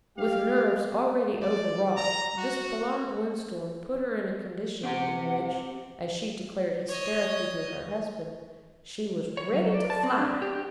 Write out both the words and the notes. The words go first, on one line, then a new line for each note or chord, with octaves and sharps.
With nerves already overwrought this prolonged windstorm put her in a condition in which, as she declared hysterically to her husband, she was "ready to fly."
G4 F5
D5
A#5
F#4
C4 G4 C5 F#5
C#5 D#5
C#5
F#3
D5
A5
C4
D4
G4
G4